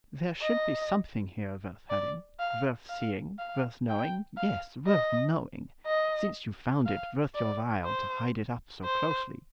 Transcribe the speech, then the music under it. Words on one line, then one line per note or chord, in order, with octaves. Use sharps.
There should be something here worth having, worth seeing, worth knowing,--yes, worth knowing!--since you found it worth your while to hide it up so closely.'
D#5
D5
F5
F5
F5
G5
F5
D#5
D#5
F5
D5
C5
C5